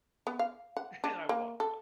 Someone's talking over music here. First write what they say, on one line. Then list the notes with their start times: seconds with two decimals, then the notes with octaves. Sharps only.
And I walked
0.27 B3
0.39 F5
0.77 F#5
1.04 D4
1.29 A#3
1.60 A4